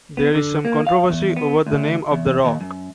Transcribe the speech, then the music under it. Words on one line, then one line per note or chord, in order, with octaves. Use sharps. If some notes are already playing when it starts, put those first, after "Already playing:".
There is some controversy over the name of the rock.
B3
D3
A#3
F5
E2
B3
D2
E2
D#2
F#2